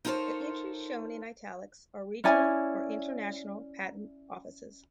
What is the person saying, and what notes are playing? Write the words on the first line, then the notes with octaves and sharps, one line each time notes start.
The entries shown in italics are regional or international patent offices.
D#4 F4 A4 A#4 C5 C#5
C#4 E4 D5 G#5